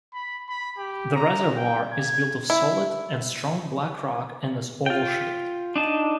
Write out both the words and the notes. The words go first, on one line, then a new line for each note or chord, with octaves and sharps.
The reservoir is built of solid and strong black rock and is oval shaped.
B5
B5
G4
A#5
G5
G#6
E4
F4 G5
D4 D#4 A5